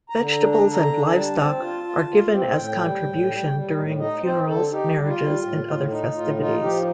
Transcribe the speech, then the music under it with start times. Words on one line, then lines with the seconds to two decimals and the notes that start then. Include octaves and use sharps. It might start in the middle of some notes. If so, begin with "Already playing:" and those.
Vegetables and livestock are given as contribution during funerals, marriages and other festivities.
0.10 A#5
0.16 D3
0.31 A#5
0.40 D4
0.52 A#5
0.64 D3
0.74 A#5
0.88 D4
1.11 G3 A5
1.36 C4
1.59 F4
1.83 F4
2.07 F4
2.31 C4
2.55 A2 G5
2.79 G3
3.03 A2
3.28 G3
3.50 G3
3.75 A2
3.99 D#4 D#5
4.23 C4 C5
4.47 D3 A4
4.70 D#4 G4
4.95 G3
5.07 F4
5.18 G3
5.43 A2
5.66 A2
5.90 D#4
6.14 A2 F4
6.38 D#4 F4
6.62 F3 G4